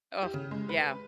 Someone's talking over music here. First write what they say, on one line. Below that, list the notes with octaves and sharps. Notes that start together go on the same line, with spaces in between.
Oh, yeah.
G4
C#3
G#3
B4